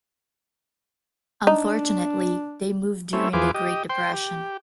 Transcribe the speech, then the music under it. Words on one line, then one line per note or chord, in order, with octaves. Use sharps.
Unfortunately, they move during the Great Depression.
D4 D#4
A3 C4 C#4 E4
E2 F4 G#4 B4 C5 D6
G4 D#5
C5 G5 C6
G4